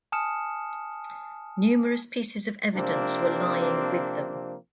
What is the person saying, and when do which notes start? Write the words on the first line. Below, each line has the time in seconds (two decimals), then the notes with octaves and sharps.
Numerous pieces of evidence were lying with them.
0.12 G#5 A5 D#6 F6 C#7 E7
2.75 C3 F3 A#3 C4 D4